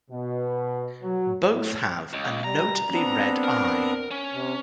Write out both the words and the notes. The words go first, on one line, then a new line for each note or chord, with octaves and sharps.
Both have a notably red eye.
B2
F#3
A2
C#2
G3 A#5
B3 C4 D4
A#4
C#4
C3